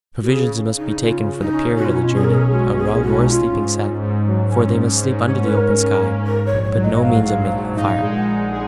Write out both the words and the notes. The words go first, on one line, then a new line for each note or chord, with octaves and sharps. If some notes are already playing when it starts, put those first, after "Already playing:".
Provisions must be taken for the period of the journey, a rug or sleeping sack--for they must sleep under the open sky--but no means of making a fire.
F#4
C#3 G#4
C#3
C#3 D#4
C#3 F4
C#3
D#4
C#4
B2 F#4
F4
D#4
B2 F4
G#4
B1 A#4
G#4
G#3 F#4
B2 G#4
B2 F#4
D#4
C#4 F4
G#2
G#2
G#2
F#3
C#4
G#2
G#2
C#4
B4
G#2 A#4
C#4
A#3
G#2 A#4
C#5
A#1
C#5
F#3
D#5
G#2 F5
G#2
A#1
D#4 F5
G#3
F#5
D#4
G#4